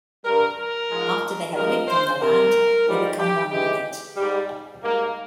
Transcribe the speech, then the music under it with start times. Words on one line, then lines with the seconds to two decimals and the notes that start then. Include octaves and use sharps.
After they have lived on the land, they become one with it.
0.24 G2 G3 A#4
0.57 A#4
0.89 G#2 F3 G#3
1.54 G2 F3 G#3 A#4
1.87 C5
2.20 C3 G3 A#4
2.86 G#2 G3
3.18 G4
3.51 G#2 E3 G#3 G4
4.17 G#2 G3
4.82 G#2 G3 A#3